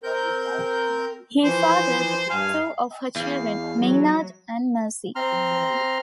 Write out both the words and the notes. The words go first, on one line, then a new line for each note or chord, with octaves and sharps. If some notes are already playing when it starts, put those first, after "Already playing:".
He fathered two of her children, Maynard and Mercy.
C4 A#4 G6
E3 F3 C5
G2 F5 G#5
E2 F5
F#3
C4 A#5 C6 F6